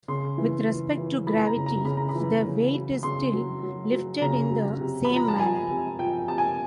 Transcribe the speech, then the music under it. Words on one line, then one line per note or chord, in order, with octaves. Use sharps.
With respect to gravity, the weight is still lifted in the same manner.
C#3 C6
E3
E3
E3
E3 B5
A#5
C#3
A#5
C#3 B5
A#5
B5
E3
C#3
F#3
C#3 C6
F#3
F#3
F#3
C#3 A#5
F#3
C3
B5
F3
A#5
A5
F3 G#5
C3
F3 G5
C3 A5
G#5